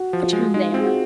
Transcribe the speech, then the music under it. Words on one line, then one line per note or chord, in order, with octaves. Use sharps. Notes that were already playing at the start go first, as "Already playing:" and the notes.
"Put him there."
Already playing: F#4
F3
F4
G#3
G#3 D#4
F4
C4
G#4
F#4